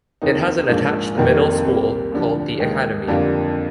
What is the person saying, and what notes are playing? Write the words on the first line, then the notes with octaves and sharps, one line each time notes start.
It has an attached middle school called the "Academy".
F1 D#2 D#3 A#3 D#4
A#1 G#2 F3 A#3
F1 F2 D#3 G3 A#3
C2 C3 G3 A#3
D#2 D3 F3
D#2 D#3 G#3 D#4
F2 D3 G3 A#3 F4